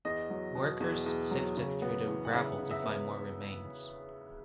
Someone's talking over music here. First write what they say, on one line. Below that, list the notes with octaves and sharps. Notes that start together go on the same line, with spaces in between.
Workers sifted through the gravel to find more remains.
E2 D#5
F#3
B2
E2
E2
F#3
C#3
B3
E3
F#5
C#3 E5
C#3
E5
B3